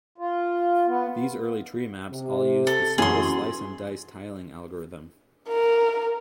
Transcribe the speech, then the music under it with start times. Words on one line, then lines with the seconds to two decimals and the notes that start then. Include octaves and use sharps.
These early treemaps all used the simple "slice-and-dice" tiling algorithm.
0.18 F4
0.87 B3
2.12 C3
2.67 A4
2.98 F#2 E3 F#3 G#4 C6
5.48 A#4